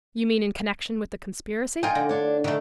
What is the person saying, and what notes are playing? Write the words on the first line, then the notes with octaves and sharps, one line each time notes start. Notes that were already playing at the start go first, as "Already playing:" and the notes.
"You mean in connection with the conspiracy?"
D#4 F4 G5 G#5
D3
D4 C#5
D3 D#3 A3